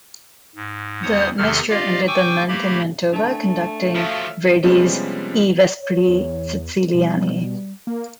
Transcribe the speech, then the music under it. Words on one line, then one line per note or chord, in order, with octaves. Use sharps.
The Maestro ended the month in Mantova conducting Verdi's "I vespri Siciliani".
G#2
E2 C5 C#5 F#5 D#6
E2 C3 D#3 A4 F6
F4 G4 D5 D#5 F5
G5 G#5 C#6 D6 E6 G6
A3 A#3 G4 B5
A3 D4 A5
F3 F#3 E5 F5
C3 F3 G3 G#3 B3 C#4
C#5
E2
B2 G3
A#3